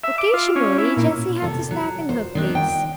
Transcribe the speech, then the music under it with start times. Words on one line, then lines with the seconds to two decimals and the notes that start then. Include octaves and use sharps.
Occasionally Jessie had to slacken her pace.
0.04 E5
0.18 D6
0.34 F4
0.56 C#4
0.78 E4
0.97 A#2
1.42 C3 A4
1.71 F#3
2.09 C5
2.35 D#3 C4 D4
2.55 G5